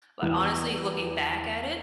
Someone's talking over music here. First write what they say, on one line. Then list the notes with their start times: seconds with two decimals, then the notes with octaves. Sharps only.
but honestly, looking back at it
0.22 E2 E3 B3